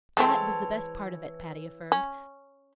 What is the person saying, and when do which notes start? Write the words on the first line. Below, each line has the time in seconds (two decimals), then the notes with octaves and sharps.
"That was the best part of it!" Patty affirmed.
0.17 E3 G#3 A3 C4 C#5 A5
1.92 C#4